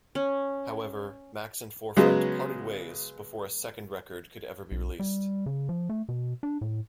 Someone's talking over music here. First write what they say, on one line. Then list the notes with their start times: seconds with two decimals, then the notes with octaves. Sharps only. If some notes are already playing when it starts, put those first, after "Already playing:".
However, Max and Forefront parted ways before a second record could ever be released.
0.15 C#4
1.96 C#3 F#3 G#3 B3
4.72 B1
5.00 G3
5.46 C#3
5.69 F3
5.89 A3
6.09 B2
6.43 D4
6.61 A2